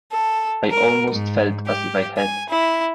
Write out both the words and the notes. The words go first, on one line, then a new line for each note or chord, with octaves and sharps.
I almost felt as if I had.
A4
A#4
G#2
G4
G#5
E4